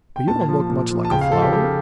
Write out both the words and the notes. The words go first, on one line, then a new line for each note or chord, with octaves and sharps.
"But you don't look much like a flower."
G5
A#2 A5
F3
A#2
F3
A5
C#3 G5
F5
F3 A4
G4
C#3 G4